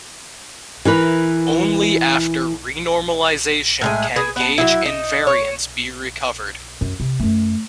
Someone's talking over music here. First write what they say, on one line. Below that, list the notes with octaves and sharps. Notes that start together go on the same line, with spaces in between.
Only after renormalization can gauge invariance be recovered.
E3 A#4 B4
A2 G#3 G#5
G#4 B4
B3 A5
F#3 C4 E4
D#4
C#5
F#2
C3
F#2 A3